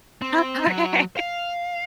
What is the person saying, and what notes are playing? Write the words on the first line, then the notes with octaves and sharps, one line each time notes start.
Oh, okay.
C4
F#3
F5